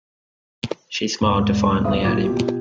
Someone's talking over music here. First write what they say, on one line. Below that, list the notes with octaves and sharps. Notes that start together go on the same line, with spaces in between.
She smiled defiantly at him.
E1 G#2
F1 B1 C5 F5 D#6
A1 F3 A#3 D6 G#6
B2 F4 G4